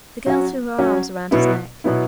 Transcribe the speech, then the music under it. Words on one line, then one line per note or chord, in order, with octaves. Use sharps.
The girl threw her arms round his neck.
F#3 C#4 F#4
F#3 C#4 F#4
B2 F#3 B3 E4
B2 F#3 B3 E4